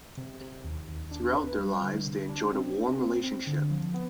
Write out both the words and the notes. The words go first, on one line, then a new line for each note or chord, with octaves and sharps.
Throughout their lives, they enjoyed a warm relationship.
C3
C3
D#2
D#2
D4
B4
G3
D3
C3
D4
C4
C4
C4
C4
D3
F3
B3